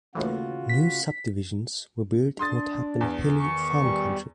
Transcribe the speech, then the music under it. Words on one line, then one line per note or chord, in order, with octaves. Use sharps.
New subdivisions were built in what had been hilly farm country.
D#2 A2 C#3 E3 F4 F#4
B6
D4 C6 D#6 A6
E2
D#3 C#6
G3